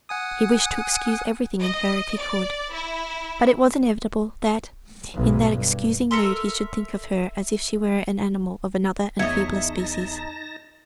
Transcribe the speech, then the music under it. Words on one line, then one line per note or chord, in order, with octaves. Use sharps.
He wished to excuse everything in her if he could--but it was inevitable that in that excusing mood he should think of her as if she were an animal of another and feebler species.
F#5 G#5 D#6
D#5
D5
E4
B1 G#2
G2
A4 A#4 E5 C6
E2 D#4 C#5 D#5 E5 A5 A#6